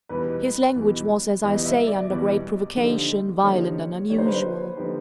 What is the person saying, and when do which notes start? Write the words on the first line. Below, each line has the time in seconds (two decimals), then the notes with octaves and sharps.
His language was, as I say, under great provocation, violent and unusual.
0.09 E2 B2 G3 B4
0.76 E2 B2 G3
1.43 E2 B2 G3 D#5
1.65 E5
1.87 D5
2.10 E2 B2 G3
2.76 D3 F3 A#3 D#4 G4
3.43 D3 F3 A#3 D#4 G4 C#5
4.09 D3 F3 A#3 D#4 G4 C#5
4.18 C5
4.26 B4
4.35 C5
4.77 D3 F3 A#3 D#4 G4 B4